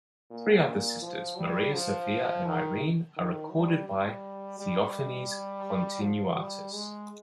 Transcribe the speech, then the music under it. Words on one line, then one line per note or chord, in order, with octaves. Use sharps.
Three other sisters, Maria, Sophia, and Irene, are recorded by Theophanes Continuatus.
A#2
F3
G3
F3
D#3
D#3
G3
G3
G3
F3
G3
G#3